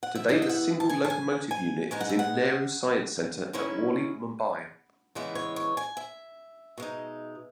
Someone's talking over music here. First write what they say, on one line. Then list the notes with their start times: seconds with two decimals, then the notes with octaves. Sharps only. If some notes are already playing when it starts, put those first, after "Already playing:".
Today the single locomotive unit is in Nehru Science center at Worli Mumbai.
0.03 F#5
0.15 E5
0.29 E3 B3 E4 D#5
0.42 E5
0.49 F#5
0.80 A5
0.89 G#5
1.05 A5
1.10 G#5
1.51 G#5
1.91 D#3 G#3 B3 D#4 G#5
2.01 F#5
2.09 E5
2.19 F#5
3.53 D#3 G#3 C#4 E4
5.15 C#3 E3 G#3 B3 E5
5.35 C#5
5.56 C#5
5.77 G#5
5.97 E5
6.78 B2 G#3 D#4